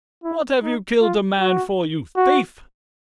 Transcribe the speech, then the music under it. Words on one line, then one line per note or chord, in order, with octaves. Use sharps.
"What have you killed a man for, you thief?"
E4
D#4
F4
F#4
F#4